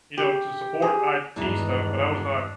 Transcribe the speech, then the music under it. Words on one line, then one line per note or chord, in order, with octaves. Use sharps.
you know, to support IT stuff, but I was not
G4
G#4
E2 G2 D#3 E3 G#3 D4 D#4